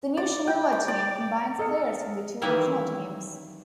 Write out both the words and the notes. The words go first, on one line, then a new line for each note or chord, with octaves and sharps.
The new Shenhua team combines players from the two original teams.
D5
G5
D6
D5
G#4 A4 D#5 F6 C#7
D#3 E3 F#3 G3 E4 F5